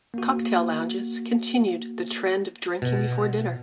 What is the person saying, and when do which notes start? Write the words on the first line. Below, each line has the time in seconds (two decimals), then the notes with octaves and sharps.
Cocktail lounges continued the trend of drinking before dinner.
0.14 A#3 F#4
2.82 B2